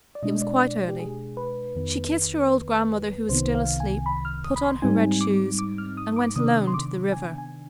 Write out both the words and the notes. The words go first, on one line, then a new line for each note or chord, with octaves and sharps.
It was quite early; she kissed her old grandmother, who was still asleep, put on her red shoes, and went alone to the river.
D5
B2 G#3 D4 D#5
D5
D5
G4
G#4
B4
F2 D#3 B3
C2 C3 D#3 B3 C5
F5
G#5
B5
F6
D#6
B5
C6
G#2 G3 C4 D#4 G#5
D6
D6
F6
D#6
D6
C3 D#3 B3 D4 D#6
C6
D6
G#5
G#5